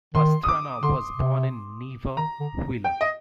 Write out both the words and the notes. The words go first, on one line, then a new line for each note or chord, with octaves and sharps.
Pastrana was born in Neiva, Huila.
D#3 C6
D#6
D6
D3 C6
C3
D#3 A#5
D3
G5
D#5